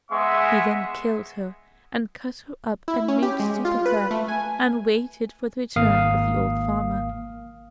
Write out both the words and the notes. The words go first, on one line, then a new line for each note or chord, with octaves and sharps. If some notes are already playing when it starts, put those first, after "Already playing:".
He then killed her and cut her up and made soup of her, and waited for the return of the old farmer.
G#3 B3 E5 C#6
E4
C#4
G4
G#3
F4
B4
A3
G#5
G#1 A#3 F5 D#6